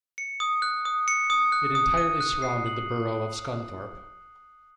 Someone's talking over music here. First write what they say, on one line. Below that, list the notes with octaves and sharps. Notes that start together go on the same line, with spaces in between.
It entirely surrounded the Borough of Scunthorpe.
C#7
D#6
F#6
D#6
C#7
D#6
F#6
D#6
D#7
F#6
C7
F#7